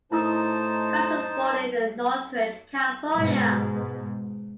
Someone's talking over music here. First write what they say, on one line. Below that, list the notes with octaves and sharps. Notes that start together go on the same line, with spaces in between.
Collins was born in Northridge, California.
A2 D#4 E4 A#4 C5 A5 D#6
G#2 B2